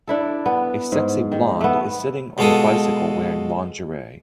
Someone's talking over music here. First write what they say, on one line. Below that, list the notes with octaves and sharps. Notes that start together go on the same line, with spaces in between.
A sexy blond is sitting on a bicycle wearing lingerie.
D4 E4 A4
B3
G#2
D#3
A3 B3
B2 G#3 F4 A4 D#6